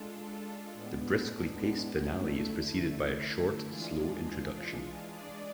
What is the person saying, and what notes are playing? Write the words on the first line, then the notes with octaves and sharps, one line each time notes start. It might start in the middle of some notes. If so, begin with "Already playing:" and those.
The briskly-paced finale is preceded by a short slow introduction.
Already playing: G#3 D4 F4 A4
A2 G#3 B3 D4
D3 A3 E4
E3 G#3 D4 F4 G#4
G#3 D4 G#4 D5